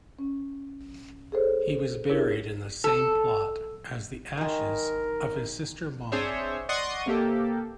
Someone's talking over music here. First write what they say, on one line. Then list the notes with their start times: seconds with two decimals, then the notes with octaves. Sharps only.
He was buried in the same plot as the ashes of his sister Molly.
0.19 C#4
1.32 G#4 A4 C5 C#5
2.09 D4 E4 G4 G#4 A#4 C#5
2.84 A4
4.37 D#3 G#3 A#4
6.12 C4 D4 G#4 C5 C#5 E5
6.69 D5 D#5 F#5 C6 C#6 D#6
7.06 C3 A#3 G4 A4